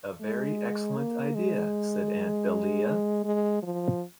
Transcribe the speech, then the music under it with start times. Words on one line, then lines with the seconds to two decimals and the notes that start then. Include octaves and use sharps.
"A very excellent idea," said Aunt Dahlia.
0.21 G#3
0.97 A#3
1.35 G#3
3.24 G#3
3.63 F3